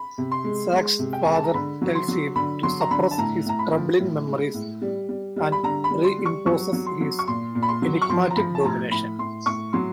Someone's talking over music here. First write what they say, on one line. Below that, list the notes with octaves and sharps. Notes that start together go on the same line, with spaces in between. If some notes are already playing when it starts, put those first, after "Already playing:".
Zach's father tells him to suppress his troubling memories and re-imposes his enigmatic domination.
Already playing: B5
C3
C6
G#3
G#3
C3
G5
G#3 G#5
A5
A#5
D3 B5
F#3
C6
F#3
D3 B5
F#3 C6
A#5
D3 B5
A5
A2 A#5
A2 A#5
B5
F3
A2
G#3
A2
G3
G3
G3
B5
D3 A#5
B5
G3
C6
G3
C#6
F#3 C#6
F#3
C6
F#3
C#6
A#2 C6
A#2
B5
C6
F#3
C#6
F3 C6
A#5
F3 B5
A5
A2 A#5
A2 B5
A2 C6
A2 C#6
F#3 C6